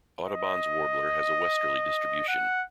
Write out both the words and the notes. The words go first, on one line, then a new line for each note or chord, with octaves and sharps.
Audubon's warbler has a westerly distribution.
D#5
F#5